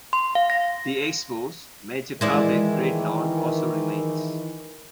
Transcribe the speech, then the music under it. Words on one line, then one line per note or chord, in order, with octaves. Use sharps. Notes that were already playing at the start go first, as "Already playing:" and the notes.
The expo's "Magic Carpet Great Lawn" also remains.
C6
F5
A#6
D#3 E3 G#3 E4 D5